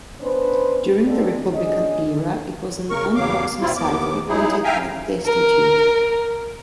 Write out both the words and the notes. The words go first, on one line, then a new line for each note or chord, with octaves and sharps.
During the Republican era, it was an unwholesome site frequented by the destitute.
B3 C#4 D4 B4 C5
G#3 A#3 C4 A4 D5
C#4 D4 G#4 D#5
C#3 A#4 C#6
E2 G2 C#3 F#3 F5 D6
A#2 F#3 C4 E4 F4
D#2 B3 D6
F#3 D#4 E4 G#4
E5 F5 G5 G#5 A#5
A#4